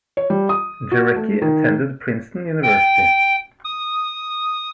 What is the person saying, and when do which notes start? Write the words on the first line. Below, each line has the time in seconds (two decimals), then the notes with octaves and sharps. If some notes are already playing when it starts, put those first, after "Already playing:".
Jarecki attended Princeton University.
0.17 C#5
0.30 G3
0.49 D#6
0.92 F#4
1.16 A3
1.42 D#3
2.63 G5
3.64 D#6